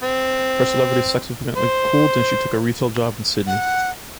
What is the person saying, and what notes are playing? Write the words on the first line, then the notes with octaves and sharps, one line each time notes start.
Her celebrity subsequently cooled and she took a retail job in Sydney.
C4
C5
F#5